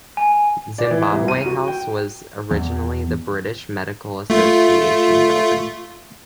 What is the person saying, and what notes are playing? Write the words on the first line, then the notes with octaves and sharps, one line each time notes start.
Zimbabwe House was originally the British Medical Association Building.
G#5
D5
E3
C2
D#7
F#4
G5
E2
A3 F4